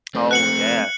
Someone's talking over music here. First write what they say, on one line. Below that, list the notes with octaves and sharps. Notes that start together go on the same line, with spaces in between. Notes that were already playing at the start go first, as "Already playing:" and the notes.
Oh, yeah.
A3 C4
F#6 C#7 F#7